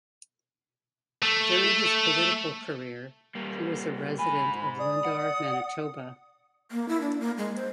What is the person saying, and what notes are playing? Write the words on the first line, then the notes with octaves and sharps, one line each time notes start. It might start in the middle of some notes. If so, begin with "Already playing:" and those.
During his political career, he was a resident of Lundar, Manitoba.
A3
G3 A#3
G#2 G#5 B5
D5 D#6
F#5
A#3
E4
D4
A#3
G#3
C5